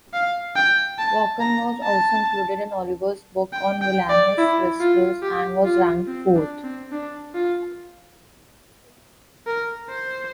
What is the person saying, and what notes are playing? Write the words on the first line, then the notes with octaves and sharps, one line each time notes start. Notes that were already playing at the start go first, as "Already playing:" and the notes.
Vachon was also included in Oliver's book on villainous wrestlers and was ranked fourth.
F5
G5
A5
A#5
A5
G5
G5
D5
E4
F4
G4
F4
C4
D4
C4
D4
F4
A#4
C5